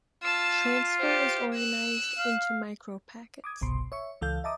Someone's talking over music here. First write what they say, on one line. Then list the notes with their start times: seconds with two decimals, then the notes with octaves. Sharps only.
Transfer is organized into micropackets.
0.23 F4 A5 E6
0.97 G4 C5
1.54 E6 F#6
2.18 F5
3.44 D6 D#6 G#6
3.61 G1 C2 B2 C6
3.92 C#5 E5 C#6
4.21 C#2 E3 A4 F5 G6
4.44 D#5 E5 A5 A#5 D6 D#6